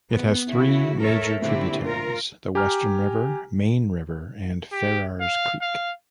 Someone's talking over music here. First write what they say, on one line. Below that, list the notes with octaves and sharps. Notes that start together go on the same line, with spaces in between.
It has three major tributaries the Western River, Mayne River and Farrars Creek.
B3
C#3 E4 F#4
A4 A#4 C#5 E5
A#2 D3 A3 C4 E4 G4
F4 A#4
G4 G#5 A#5 F6
G4
F5
F5